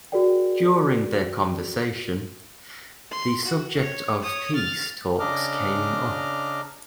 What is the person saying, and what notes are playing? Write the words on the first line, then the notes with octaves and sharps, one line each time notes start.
During their conversation, the subject of peace talks came up.
F#4 G#4 A#4 D5 G5
C6
F#4
C#5
C#5 D#6
F6 A6
C#3 D4 D#5 A#5 D6 F6